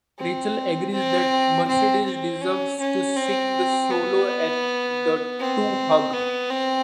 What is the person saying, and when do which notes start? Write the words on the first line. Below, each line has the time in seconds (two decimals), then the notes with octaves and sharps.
Rachel agrees that Mercedes deserves to sing the solo and the two hug.
0.18 C4
0.93 C4
1.68 C4
2.05 C4
2.41 C#4
2.80 C#4
3.16 C4
3.90 B3
5.40 C4
6.13 B3
6.50 C4